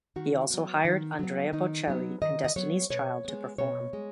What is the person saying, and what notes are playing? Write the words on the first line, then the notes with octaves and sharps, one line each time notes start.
He also hired Andrea Bocelli and Destiny's Child to perform.
D#3 F#4
F#3 B3
D#3
F#3 B3
D#3 D#4
F#3 B3
D#3 D#5
D#5
F#3 B3 C#5
B2 C#5
G#3 B3
B2 C#5
G#3